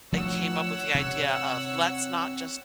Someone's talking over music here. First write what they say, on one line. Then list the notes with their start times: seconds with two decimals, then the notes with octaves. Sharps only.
I came up with the idea of, "Let's not just
0.12 F3 A3 D4 C#5 F#5 E6
0.94 C3